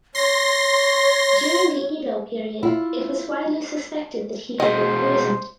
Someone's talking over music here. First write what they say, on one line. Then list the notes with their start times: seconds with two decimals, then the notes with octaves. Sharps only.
During the Edo period it was widely suspected that he had been poisoned.
0.15 C#5 C6 A#6
2.63 E4 F4
4.60 B2 G#3 C5 D#5